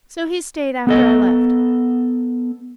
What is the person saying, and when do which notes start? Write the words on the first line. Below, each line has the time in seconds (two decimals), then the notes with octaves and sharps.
So he stayed after I left.
0.87 B3 A4 D#5